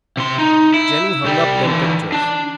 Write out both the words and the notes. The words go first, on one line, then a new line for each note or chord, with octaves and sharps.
Jenny hung up them pictures.
C3 C6
D#4
E4
C2 G3
D3 E3
D4